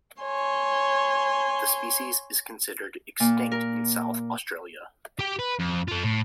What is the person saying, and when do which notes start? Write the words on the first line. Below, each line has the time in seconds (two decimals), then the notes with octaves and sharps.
The species is considered extinct in South Australia.
0.22 C#5 G#5 C6
3.20 A#2
3.52 A#4
5.19 G4 G5
5.39 B4
5.59 F2
5.88 F4 A4
6.03 A2